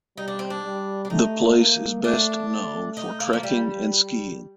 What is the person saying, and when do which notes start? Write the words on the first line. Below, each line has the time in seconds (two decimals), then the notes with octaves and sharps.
The place is best known for trekking and skiing.
0.17 G3 D#4
0.28 D4
0.39 C4
0.50 D4
0.64 G3
1.05 D4
1.10 A3 D#4
1.57 A#3
2.03 A3 D4
2.50 A3
2.97 D#4
3.20 A#3
3.33 F3
3.43 G3